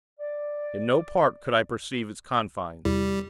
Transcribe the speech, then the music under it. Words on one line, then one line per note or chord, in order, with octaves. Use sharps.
In no part could I perceive its confines.
D5
E2 C3 G3 E4